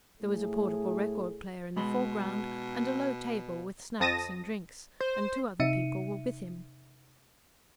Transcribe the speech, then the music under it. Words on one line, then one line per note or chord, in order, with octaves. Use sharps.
There was a portable record player in the foreground and a low table with snacks and drinks, and two other people were with him.
A2 A3 G#4
B2 G#3 B5 C6
F2 A5 D#6 A#6 D#7
C5
C3 D#4 E5 C#7 D#7